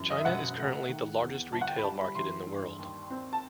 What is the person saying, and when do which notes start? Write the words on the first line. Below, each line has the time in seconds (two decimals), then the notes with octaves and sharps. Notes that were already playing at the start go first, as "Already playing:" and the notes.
China is currently the largest retail market in the world.
Already playing: F#2 E3
0.10 D#5
0.18 E5
0.25 E1 F#5
0.57 A3
0.89 D#3
1.20 E2
1.52 G1 A5
1.61 F#5
1.67 G5
1.78 B5
1.83 G3 A5
1.99 B5
2.15 E3 C6
2.47 G2
2.79 D#2
3.10 C4
3.33 A5